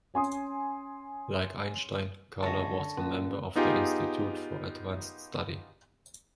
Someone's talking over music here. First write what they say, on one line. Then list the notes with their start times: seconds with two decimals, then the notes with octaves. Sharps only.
Like Einstein, Kahler was a member of the Institute for Advanced Study.
0.14 C#4 G#5 C6 D#6
2.43 C#2 D3 C#5 A5 C#6 A#6
2.97 A#2 C#4
3.56 B3 D#4 F4 G4 G#4